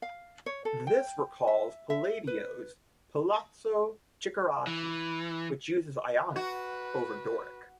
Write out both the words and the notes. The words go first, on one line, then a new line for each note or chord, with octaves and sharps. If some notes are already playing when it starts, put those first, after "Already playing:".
This recalls Palladio's Palazzo Chiericati, which uses Ionic over Doric.
F5
C#5
A4
G5
E5
E5
B4
E3
F#4 B4